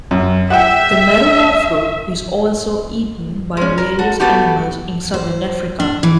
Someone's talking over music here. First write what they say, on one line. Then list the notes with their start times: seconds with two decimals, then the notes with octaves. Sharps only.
The marula fruit is also eaten by various animals in Southern Africa.
0.11 F#2
0.50 E5 F#5 G5
3.57 G#3 C#4
3.78 A#4
3.99 F#4 A4
4.20 A3 B3 F#4 G4
5.14 C5
5.80 D4
6.03 E3